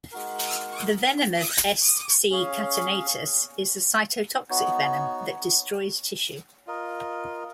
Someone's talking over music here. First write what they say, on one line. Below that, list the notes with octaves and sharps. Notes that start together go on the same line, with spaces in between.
The venom of "S. c. catenatus" is a cytotoxic venom, that destroys tissue.
G#3 D#4 F#4 A#4
C#4 G#4 C#5 F5
B3 D#4 F#4 C#5
F4 A#4 D#5